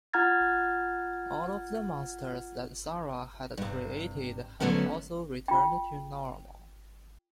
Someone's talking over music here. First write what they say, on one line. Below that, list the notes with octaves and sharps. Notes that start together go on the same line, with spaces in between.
All of the monsters that Sarah had created have also returned to normal.
F4 F#5 A#5 F6 G#6 A6
G2 C3
D3 F#3 A3 B3 C#4
F4 G5